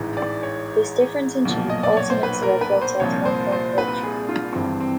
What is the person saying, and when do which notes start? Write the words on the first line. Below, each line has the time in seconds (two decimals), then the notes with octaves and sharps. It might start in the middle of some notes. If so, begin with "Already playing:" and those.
This difference in shape also makes the red blood cells more prone to rupture.
Already playing: A1 G#2 E3
0.17 D5
0.43 C#5
1.45 B1 A#2 F3
1.70 D#5
1.83 D5
1.97 C#5
2.10 C5
2.23 B4
2.42 A#4
2.61 B4
2.82 C5
3.00 C2 A#2 F3 C#5
3.25 C5
3.52 C5
3.78 B4
4.03 G#4
4.29 F4
4.54 G#1 G2 E3 C4
4.80 C4